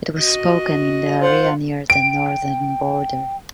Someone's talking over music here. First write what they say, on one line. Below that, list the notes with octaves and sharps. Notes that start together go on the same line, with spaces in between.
It was spoken in the area near the northern border.
F#4 D#5
F4 C5 F#5
G5 D7